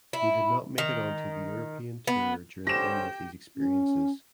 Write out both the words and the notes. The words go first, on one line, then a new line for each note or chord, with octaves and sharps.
He did not make it onto the European Tour during any of these experiences.
E4
D#3
B3
D3 C#4 G4 C5 G5 A#6 E7
C#4